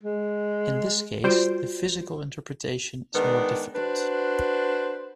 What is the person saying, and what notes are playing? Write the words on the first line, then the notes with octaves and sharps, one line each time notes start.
In this case, the physical interpretation is more difficult.
G#3
G3 F4 F#4 C5 D7
D#3 G#3 B3 D4
D4 F#4 B4 C5